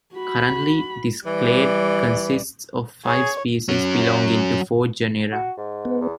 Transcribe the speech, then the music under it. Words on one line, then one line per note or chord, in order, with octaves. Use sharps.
Currently, this clade consists of five species belonging to four genera.
F#4 B5
E3 G3 D5
G#4 C#5
F#3 C#4
F#4
G#2
B3
E2